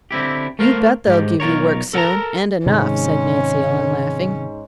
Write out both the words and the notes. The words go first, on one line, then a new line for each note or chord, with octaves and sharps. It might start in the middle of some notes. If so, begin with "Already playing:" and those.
"You bet they'll give you work soon, and enough," said Nancy Ellen, laughing.
D3 C4 E4 G4
A3 A#4 C5 F5
G#2 G4
B1 F4 A#4 C#5
A4 A#4 F#5 G5 A5 A#5
G#2 C3 D#3 C#4